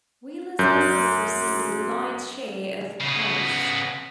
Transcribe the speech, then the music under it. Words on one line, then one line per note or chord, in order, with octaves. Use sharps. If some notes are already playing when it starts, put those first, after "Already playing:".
Wheeler's vocals received the lion's share of praise.
F#2 G6
C#3 B3